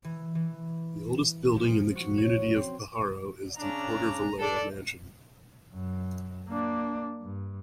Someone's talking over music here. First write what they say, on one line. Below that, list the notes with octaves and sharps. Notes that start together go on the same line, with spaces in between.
The oldest building in the community of Pajaro is the Porter-Vallejo Mansion.
E3
E3
F3
F#4
C#5
C4
C#3 C#4 D4 A#5
D4 A4 D5
F#2
A#3 D4
G2